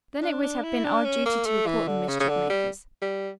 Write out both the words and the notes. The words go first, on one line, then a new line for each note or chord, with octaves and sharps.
Then it would have been our duty to report the mischief makers.
D4
D4
E4
D4
C#4
A#3
A3
E3
D3
C#3
C#3
D3
G3
G3